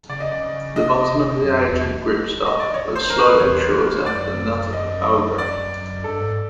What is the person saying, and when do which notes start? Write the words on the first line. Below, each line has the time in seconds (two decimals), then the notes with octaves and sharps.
The bottom of the Agent gripstock was slightly shorter than that of the Cobra.
0.10 C#3 D5
0.20 D#5
0.31 D5
0.76 C3 D#5
1.42 F#2
1.64 E2
2.46 D#5
2.60 D5
2.74 C#5
2.96 C5
3.10 A#4
3.19 B4
3.40 E2 C#5
3.73 F2
3.94 F2
4.06 F#2 D5
4.73 D#5
5.38 D5
6.04 G2 A4
6.20 G#2